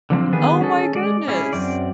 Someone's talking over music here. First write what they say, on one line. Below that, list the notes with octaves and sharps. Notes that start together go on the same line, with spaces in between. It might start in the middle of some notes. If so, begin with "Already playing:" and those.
Oh, my goodness.
D3 F3 A#3 C4
D#3 G3 B3 G#4 B4
C#4 G#4 A4
G#3 D5
C#4 E4 G#4
F#2 C4 D5